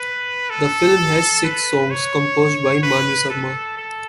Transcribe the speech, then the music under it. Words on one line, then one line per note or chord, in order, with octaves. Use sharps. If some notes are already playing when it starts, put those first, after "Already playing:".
The film has six songs composed by Mani Sharma.
Already playing: B4
A4
B4
C#5
B4
A4
A4